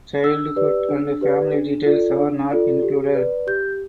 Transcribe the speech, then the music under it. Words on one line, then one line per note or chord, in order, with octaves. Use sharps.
Childhood and family details are not included.
D4 E6
G4 B4 D5
D4
G4 B4 D5
D4
F4 A4 D5
D4
F4 A4 D5
G4
B4 D5
G4 G6